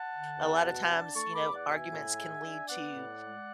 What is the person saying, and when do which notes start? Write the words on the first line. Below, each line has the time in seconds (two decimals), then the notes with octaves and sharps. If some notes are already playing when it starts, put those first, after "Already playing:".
A lotta times, you know, arguments can lead to
Already playing: F#5 A5
0.12 D3
0.38 E2
0.63 B2
0.88 D4
1.14 A3 A5 C#6
1.33 B5 D6
1.40 E2
1.53 D5 F#5
1.65 B2
1.72 E5 G#5
1.91 A2
2.17 G#3
2.42 D4
2.68 B3 D5 F#5
2.94 A2
3.20 G#3